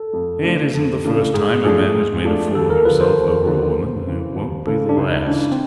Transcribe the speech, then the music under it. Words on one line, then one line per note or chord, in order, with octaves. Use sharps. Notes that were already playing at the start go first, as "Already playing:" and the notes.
It isn't the first time a man has made a fool of himself over a woman, and it won't be the last.
Already playing: A4
F2
C#3 E3 A3 D4
F2
C#3 E3 A3 D4
G#2 G#4
F3 A3 D4 G#4
G#2
F3 A3 D4
D#2 A4
A#4
D3 F3 B4
C5
D#2
D3 F3
D#2
C#3 E3
D#2
C#3 E3 A4
D4
C#2 D#4
C#3 E3 D4
C4